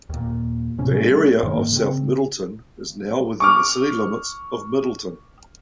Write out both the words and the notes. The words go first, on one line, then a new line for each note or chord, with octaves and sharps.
The area of South Middletown is now within the city limits of Middletown.
D#2 A#2
A2 C3 C#4
G3 A3 C#4
G#2 D#3 A#3
C#3 C4
C#6 D6 F6